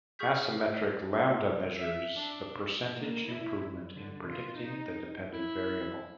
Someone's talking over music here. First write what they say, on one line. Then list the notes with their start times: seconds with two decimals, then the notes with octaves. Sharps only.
Asymmetric lambda measures the percentage improvement in predicting the dependent variable.
0.19 G#4 C#6 D#6 F6 G6 B6
1.76 E5
2.16 D4
2.96 A#3
3.27 E4
3.66 F#2
3.96 D3
4.29 F4
4.58 D#4
5.33 E4